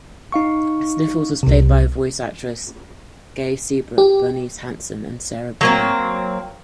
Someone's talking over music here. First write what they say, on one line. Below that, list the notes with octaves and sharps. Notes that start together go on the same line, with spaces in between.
Sniffles was played by voice actresses Gay Seabrook, Bernice Hansen, and Sara Berner.
D#4 F5 C#6
C2 C3
G4
F#3 A#3 C4